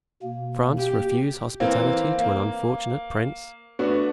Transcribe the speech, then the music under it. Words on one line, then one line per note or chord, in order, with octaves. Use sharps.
France refuse hospitality to an unfortunate prince?
B2 A#3
G4
E3 A#3 C4
A#3
A3 B3 D4 F#4